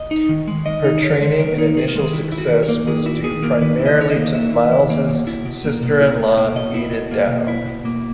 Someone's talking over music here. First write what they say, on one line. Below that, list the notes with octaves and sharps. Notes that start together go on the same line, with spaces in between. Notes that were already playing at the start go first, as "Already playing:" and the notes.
Her training and initial success was due primarily to Miles's sister-in-law Ada Dow.
Already playing: D#5
D#4
D#3
G#3
D#3 D#5
D#4
D#3 C#5
G#3
D#3 A#4
D#4
D#3 G#4
A#4
G#3 G#4
D#3 E4
E4
F#4
D#3
A#4
A#3
D#3 G#4
E4 F#4
D#3 G#4
A#3 A#4
D#3 B4
E4
D#5
D#3 C#5
D#5
A#3
D#3 E5
E4
D#3
A#3
B2
E4
B2
A#3
B2
E4
B2
A#3
B2 D#5
E4
B2
A#3
B2
E4
B2
A#3